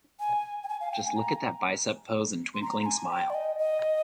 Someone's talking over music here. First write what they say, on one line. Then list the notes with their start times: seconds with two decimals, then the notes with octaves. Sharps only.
Just look at that bicep pose and twinkling smile.
0.20 G#5
0.64 G5
0.68 G#5
0.81 F5
0.92 G5
1.05 G#5
1.16 A#5
2.54 C6
2.62 A#5
2.82 A#5
2.86 G#5
3.10 G5
3.30 D5
3.35 D#5
3.59 D#5